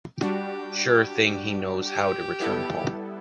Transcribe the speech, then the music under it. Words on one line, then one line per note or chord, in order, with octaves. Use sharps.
Sure thing he knows how to return home.
G3 D4 F#4 G4
G4
G3 B3 E4 A4